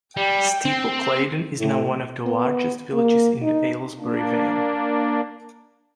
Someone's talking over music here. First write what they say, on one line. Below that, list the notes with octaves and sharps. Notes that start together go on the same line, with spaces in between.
Steeple Claydon is now one of the largest villages in the Aylesbury Vale.
G3 G5
C4
A2
B3
A#3
D#4
A#3 D4